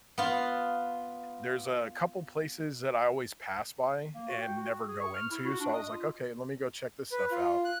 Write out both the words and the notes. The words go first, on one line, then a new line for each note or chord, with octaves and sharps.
there's a couple places that I always pass by, and never go into, so, I was like, "Okay, let me go check this stuff out,"
B3 F4
A#3
F#4
G5
F#4
G#4
C#6
F6
E4
F#4
D4
D#5
F4
B4
F4
F#6